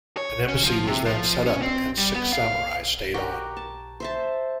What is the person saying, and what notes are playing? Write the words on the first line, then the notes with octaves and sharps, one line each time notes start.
An embassy was then set up and six samurai stayed on.
C#5
C#4
F3
C3
F3
C#4
C4
G3
B3
F5
F#4 G4 A#4 G5
A5
C5 E5 A5